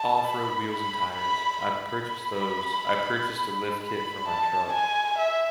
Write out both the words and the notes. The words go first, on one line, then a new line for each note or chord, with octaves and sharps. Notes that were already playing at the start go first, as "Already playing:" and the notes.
off-road wheels and tires. I've purchased those, I purchased a lift kit for my truck.
Already playing: A5
B5
B5
B5
B5
B5
A5
G#5
E5